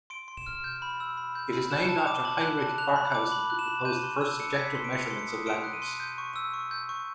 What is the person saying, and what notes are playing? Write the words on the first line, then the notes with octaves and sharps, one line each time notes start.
It is named after Heinrich Barkhausen who proposed the first subjective measurements of loudness.
C6 D7
C6
E7
F6
G6
B5
E6
B5
G6
B5
F#6 E7
A5
F7
D6
A5 F#7
F#6
A5
F#6 F7
B5
D6
B5 F#7
F#6
E7
B5
G6 D#7
C6
E6
C6 C#7
G6 B6
C7
C6
D7
F#6 C#7
C6
C#7
D#6
C6 D7
F#6
D#7
C6
G6
C#6
E6
C#6
G6
C#6